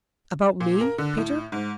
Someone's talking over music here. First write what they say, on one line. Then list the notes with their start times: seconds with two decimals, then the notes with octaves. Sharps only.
"About me, Peter?"
0.60 A#2
0.81 A#4
0.98 D3
1.17 A2
1.52 G#2